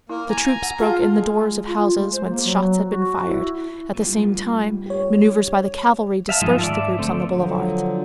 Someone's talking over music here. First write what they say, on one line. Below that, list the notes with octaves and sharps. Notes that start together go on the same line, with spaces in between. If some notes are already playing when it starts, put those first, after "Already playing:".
The troops broke in the doors of houses whence shots had been fired; at the same time, manoeuvres by the cavalry dispersed the groups on the boulevards.
A#3 E4
G#5 A#5
F#5
F4 G#4 A5
G#3
F4
G#3
C5
A#3
F#3
F#4
E4
G2 A#2
G4 C#5
E5 F5 A5
G#2 D#3 F3 G#3 F4 G#4
D5 E5 A5
D3 A3 C4
D3 F3 F#3